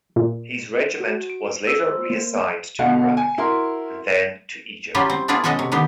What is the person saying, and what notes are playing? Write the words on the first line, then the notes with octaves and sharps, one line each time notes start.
His regiment was later reassigned to Iraq, and then to Egypt.
A#2
F#4
D7
E6
C5
A#3
B2 D3 F#4 F5 F#5
G#5
E4 F#4 A#4 C6
F#3 G3 C#4 E4 F4 G4
C4
A3 B3 D4 E4 F4 G#4
B2 G#3 C#4 F#4 A4 D#5
C3
D3 D#3 B3 G4